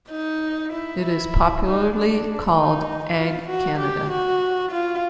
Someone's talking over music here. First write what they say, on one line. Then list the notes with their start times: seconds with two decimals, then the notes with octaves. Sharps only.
It is popularly called Ag-Canada.
0.11 D#4
0.72 E4
1.02 E4
1.65 D#4
1.95 D4
2.56 D#4
3.17 F4
3.48 F#4
3.78 G4
4.10 F#4
4.72 F4